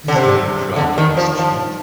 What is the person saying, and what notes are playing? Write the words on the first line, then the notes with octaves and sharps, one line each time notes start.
Is there a crowd in the street?
D3
C3
D3
D#3
F3
F3